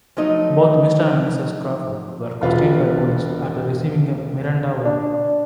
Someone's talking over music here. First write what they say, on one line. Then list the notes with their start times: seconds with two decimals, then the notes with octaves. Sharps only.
Both Mr. and Mrs. Crawford were questioned by police after receiving a Miranda warning.
0.17 F3 F#3 A3 D#4 D#5
2.42 E1 F4 B4
4.85 D4